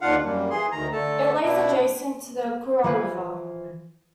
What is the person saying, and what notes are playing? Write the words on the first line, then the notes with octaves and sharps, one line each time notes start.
It lays adjacent to the Kura River.
D#2 D#3 D4 F4 F5 F#5
F#2 G3 A#3
E3 G#4 C6
D2 D#3 A#5
D3 A3 A4 A5
B2 D4 E4
E3 F3 B4